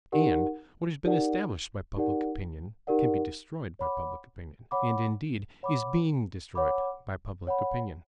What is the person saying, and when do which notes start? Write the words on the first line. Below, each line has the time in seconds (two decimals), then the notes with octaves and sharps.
And what has been established by public opinion can be destroyed by public opinion--and, indeed, is being destroyed by public opinion.
0.12 D#4 G4 A#4 D5 F#5
1.05 D#4 G4 A#4 D5 F#5
1.96 D#4 G4 A#4 D5 F#5
2.87 D#4 G4 A#4 D5 F#5
3.79 C#5 F#5 B5 D6
4.71 C#5 F#5 B5 D6
5.63 C#5 F#5 B5 D6
6.55 C#5 F#5 B5 D6
7.47 C#5 F#5 B5